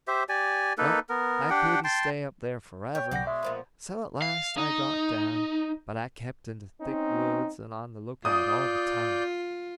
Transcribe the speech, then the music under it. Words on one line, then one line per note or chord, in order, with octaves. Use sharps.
Well, I couldn't stay up there forever; so at last I got down, but I kept in the thick woods and on the lookout all the time.
G4 C5 E5
G4 D5 G#5
A#3 D#4 A4 B4
B3 A#4
D4 G4 F#5 G5
G5 A5 C6
C#5 G5
B1 B2 D5 F#5 A#6
G#3 E5
A#2 F3 B3
F5
D#4
C4 C#4 D#4
F4 D5 D#6 G6